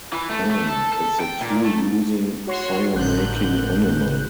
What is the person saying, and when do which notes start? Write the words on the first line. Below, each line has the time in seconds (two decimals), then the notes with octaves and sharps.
Man is the tool-using, fire-making animal.
0.13 E3
0.30 A3
0.50 A3
0.67 A4
0.92 A4
1.20 G5
1.41 A#2
1.64 A3
2.47 F#4 C#5 C6
2.94 G#1 A2 D3 F#6 G6